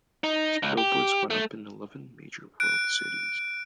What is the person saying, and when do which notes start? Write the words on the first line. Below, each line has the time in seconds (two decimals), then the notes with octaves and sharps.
These billboards went up in eleven major world cities.
0.24 D#4
0.63 C#2
0.78 G4
1.30 A3
2.60 F#6 D7